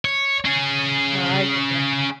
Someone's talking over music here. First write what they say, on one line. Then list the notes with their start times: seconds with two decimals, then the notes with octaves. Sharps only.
No, I get that.
0.05 C#5
0.45 C#4 G#4